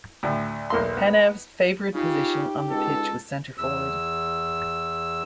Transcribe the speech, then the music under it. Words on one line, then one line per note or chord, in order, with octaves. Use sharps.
Penev's favourite position on the pitch was centre forward.
D2 A2
B1 E2 A#3 F5 C6
B3
C#3 D#4 F4 G4
C#2 D#4 A4 B4
E2 E6